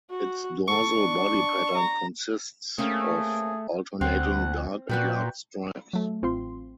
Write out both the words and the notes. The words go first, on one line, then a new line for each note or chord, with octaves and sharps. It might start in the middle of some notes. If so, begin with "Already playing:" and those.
Its dorsal body pattern consists of alternating dark and light stripes.
F#4
A4 C#6
D4
A#5
A3 A#3 C4 C#4 G#4
D2 C4 F#5
A#2 F#4 B4 D5 G5
F#3 A3
A1 C4 F4 C6